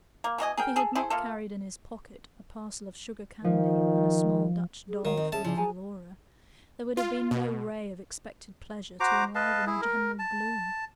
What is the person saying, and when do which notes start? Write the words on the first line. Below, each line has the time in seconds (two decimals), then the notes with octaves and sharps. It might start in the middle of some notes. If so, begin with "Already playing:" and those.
If he had not carried in his pocket a parcel of sugar-candy and a small Dutch doll for little Laura, there would have been no ray of expected pleasure to enliven the general gloom.
0.24 A#3
0.38 B2 E3 D#5 G#5
0.57 G#4 A#4 G5
0.76 G#4 A4
0.95 E4 G#4 A4 C5
1.10 A#3 F4 A4
3.44 D#3 F3
4.89 G#4
5.05 D#3 G#3 D#5 F5
5.17 C4 D#4 D#5
5.32 C#4 G#4 E5 A5
5.45 C#3 F3 E4 G#4 D5
5.57 G#4 G#5 A#5
6.97 F4
7.31 B2
9.00 F#4 C5 A#5 D6
9.35 B4 D#5 F5 A5
9.67 E4 G#4
9.82 A#4
10.19 A5